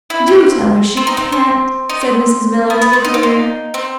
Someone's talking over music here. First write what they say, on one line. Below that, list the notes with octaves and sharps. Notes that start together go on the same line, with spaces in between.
"Do tell her she can't," said Mrs. Miller to the courier.
E4
C4
C4
D#4
C4
C4
D#4
C4
B3
B3
C4
D#4
C4
D#4
C4